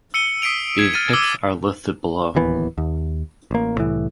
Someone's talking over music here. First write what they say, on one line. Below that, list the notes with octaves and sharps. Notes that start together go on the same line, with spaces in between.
These picks are listed below.
E6 C#7 D#7 G7
D#6 B6 C7 D7 F7
G#6
F6 A6 D#7
D6 E6 G7
D1 D#2 E3 B3
D#2
A1 A#3
C2 A2 E3